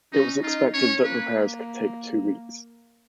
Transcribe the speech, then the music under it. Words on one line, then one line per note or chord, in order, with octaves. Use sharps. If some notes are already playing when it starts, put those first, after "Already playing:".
It was expected that repairs could take two weeks.
C#4 D#4
D#4 F4
C#4 C#5
A#3 B4